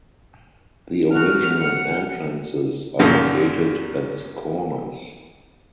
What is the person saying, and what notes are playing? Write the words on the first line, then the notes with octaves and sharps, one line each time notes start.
The original entrances are located at the corners.
F#4 F6
F#5
F#2 A#2 D#3 F3 A#3